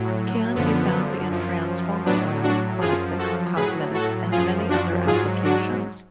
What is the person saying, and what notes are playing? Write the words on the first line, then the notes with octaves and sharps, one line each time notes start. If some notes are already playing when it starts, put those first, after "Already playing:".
Can be found in transformer oil, plastics, cosmetics, and many other applications.
Already playing: A2 F#3
F#2 D3 F3 B3
F#2 F3
A2 F#3 B3 D4
D4 F#4
F#2 F3 F4 G#4
F#4 A4
A2 F#3 G#4 B4
F#4 A4
F#2 F3 F4 G#4
D4 F#4
G#2 F#3 F4 G#4
D4 F#4